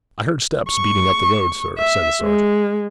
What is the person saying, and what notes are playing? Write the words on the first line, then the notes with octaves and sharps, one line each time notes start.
'I heard steps beating up the road, sir,' said the sergeant.
C#6
E5
G#3